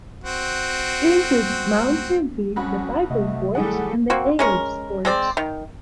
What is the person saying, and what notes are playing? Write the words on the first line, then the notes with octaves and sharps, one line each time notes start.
It includes Mount Tymfi, the Vikos Gorge and the Aoos Gorge.
C4 F#4
F2 C#4 F#4 B5
C3 A3 D#5
D#3 F#3 G3 A3 E4 G#4 A4 F#5
A#3 C4 F#4
G#3 C#4 A#4
G#3 C4 D5
D#3